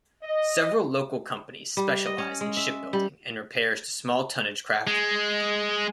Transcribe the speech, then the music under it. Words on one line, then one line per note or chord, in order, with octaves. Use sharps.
Several local companies specialise in shipbuilding and repairs to small tonnage craft.
D#5
G3
D#5
C#4
G#3
E5
G3
G#3